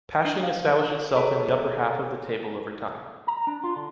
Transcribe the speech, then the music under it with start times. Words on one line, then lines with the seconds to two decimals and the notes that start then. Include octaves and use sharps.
Pasching established itself in the upper half of the table over time.
0.25 D4
0.43 F5
1.15 G#4 A4 C#5 A#5
3.27 A#5
3.47 D4
3.64 F4
3.76 D3